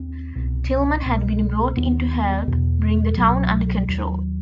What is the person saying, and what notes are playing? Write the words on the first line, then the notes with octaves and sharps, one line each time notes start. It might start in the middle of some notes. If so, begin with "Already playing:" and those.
Tilghman had been brought in to help bring the town under control.
Already playing: D#2 C4
C2 B2
C2 B2
D#2 B3
E2 B2
C2 B2 F#3
D#2 F#3